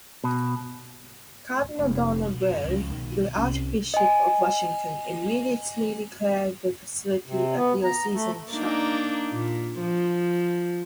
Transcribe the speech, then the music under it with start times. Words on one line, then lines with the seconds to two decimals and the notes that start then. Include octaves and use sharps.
Cardinal Donald Wuerl, the Archbishop of Washington, immediately declared the facility a diocesan shrine.
0.24 B2
1.79 F1
2.30 B2
2.49 F#2
2.64 C#2 F3
2.90 B1 D#3
3.35 C2 C#4
3.94 D#5 G#5
7.26 C3
7.56 B3
7.84 A#5
8.14 A3
8.50 A#3 D4 D#4
9.32 A#2
9.80 F3